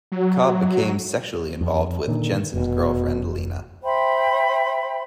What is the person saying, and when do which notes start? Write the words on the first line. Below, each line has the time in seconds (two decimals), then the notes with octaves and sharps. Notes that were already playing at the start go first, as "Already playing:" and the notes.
Cobb became sexually involved with Jensen's girlfriend Lena.
0.12 F#3
1.61 F2
2.08 A#2 D3 D#3
2.54 F1 B2
3.84 C5 E5 G5 B5